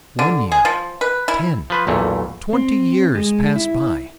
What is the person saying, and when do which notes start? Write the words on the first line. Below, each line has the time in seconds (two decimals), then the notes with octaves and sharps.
One year, ten, twenty years pass by.
0.19 D3
0.52 G#4
0.65 F3
1.01 B4
1.28 E4
1.70 F3 B4 C5
1.87 B1 E2 A#2 A3
2.53 C4
3.15 G#3
3.56 E4